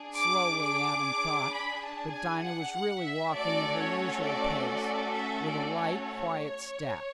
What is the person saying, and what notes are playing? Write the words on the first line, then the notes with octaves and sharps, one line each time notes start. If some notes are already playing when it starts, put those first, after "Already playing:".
Slowly, Adam thought, but Dinah was really walking at her usual pace, with a light quiet step.
Already playing: D4 G#4
D6
D6
B5
A5
G#5
F#5
F#5
E5
A3 C#4 F#4 A4 D5
C#5
D5
D5
E5
D5
C#5